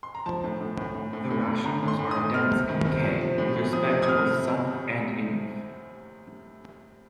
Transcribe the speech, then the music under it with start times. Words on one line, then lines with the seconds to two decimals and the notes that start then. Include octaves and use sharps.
The rationals are dense in "K" with respect to both sup and inf.
0.03 C6
0.15 A#5
0.26 F3 A5
0.44 A2
0.61 A2
0.78 A2
0.95 A2
1.13 A2
1.30 A2
1.47 A2
1.65 A2 A#5
1.83 A2
1.88 C6
1.99 A2
2.11 D#6
2.17 A2
2.34 C3 F6
2.51 C3
2.69 D#3
2.86 C3
3.04 F3
3.21 F3
3.38 A2
3.56 A2
3.73 F3 D#6
3.90 C3
4.03 D#6
4.08 C3 F6
4.25 C3